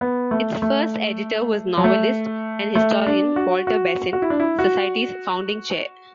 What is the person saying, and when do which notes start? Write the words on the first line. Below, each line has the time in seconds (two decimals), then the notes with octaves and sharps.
Its first editor was novelist and historian Walter Besant, the Society's founding Chair.
0.01 B3
0.31 A3
0.62 A3
1.77 F#3
1.84 A3
2.75 A3
3.07 D4
3.36 F#4
3.67 F#4
4.13 F#4
4.22 E4
4.30 D4
4.40 E4
4.59 F#4